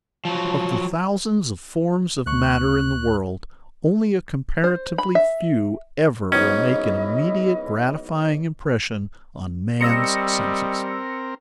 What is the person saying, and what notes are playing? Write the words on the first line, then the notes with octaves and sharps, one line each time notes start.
Of the thousands of forms of matter in the world, only a comparatively few ever will make an immediate gratifying impression on man's senses.
F3 F#3
D2 C#6 F#6
C5
B5
E5
G#2 B2 F#3 C#4 E4 B4 D#5
G3 C4 A#4 D#5 E6 A#6 C#7